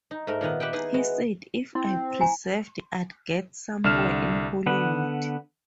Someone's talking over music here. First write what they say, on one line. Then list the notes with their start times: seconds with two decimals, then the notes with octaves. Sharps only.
He said if I persevered I'd get somewhere in Hollywood.
0.11 D#4
0.27 G#2 A3 A#4
0.41 A#2 D#3 B3 D#5
0.60 G4 B4 E5 F#5 G5
0.73 D#4 E4 G#4 B4 G#5
0.94 G#3 B3 F#4
1.75 C4 E4
2.21 G#5 A#5
3.84 C2 D3 F6 E7
4.66 D3 B3 B4